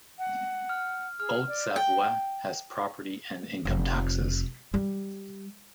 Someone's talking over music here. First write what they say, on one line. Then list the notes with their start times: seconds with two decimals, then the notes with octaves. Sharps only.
Haute-Savoie has property and income taxes.
0.19 F#5
0.69 F6
1.20 G#4 F6
1.48 D5
1.76 G5
3.65 F1
4.74 G3